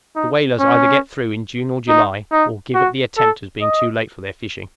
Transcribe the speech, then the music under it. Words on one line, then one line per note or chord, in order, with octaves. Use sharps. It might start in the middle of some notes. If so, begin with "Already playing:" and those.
The whalers either get through in June or July, or give up the attempt as being too late for their fishing.
D#4
C#4
D#4
D#4
F#4
A4
D#5